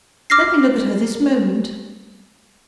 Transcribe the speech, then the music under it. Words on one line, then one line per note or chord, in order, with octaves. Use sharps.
Let me look at her this moment.
D6 F6 A#6 C7